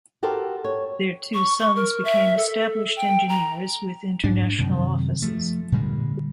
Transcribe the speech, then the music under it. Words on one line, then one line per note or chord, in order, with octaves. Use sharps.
Their two sons became established engineers with international offices.
F#4 G4 A4 A#4 C5
C#5
C#6
C#6
A#4
E5
A4
G5
A#5
G#2 D4
F#2 C3 D#3
F3 A3
A#2 D3 G3 G#3